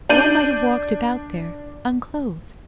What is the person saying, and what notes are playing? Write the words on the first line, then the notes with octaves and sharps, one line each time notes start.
One might have walked about there, unclothed.
D4 G6 D#7 F#7